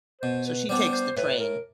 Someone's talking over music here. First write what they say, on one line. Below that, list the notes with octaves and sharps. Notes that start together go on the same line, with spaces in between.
so, she takes the train
B2 C5
B4
G3 B3 D4 C5
C5
A2 B4
A#4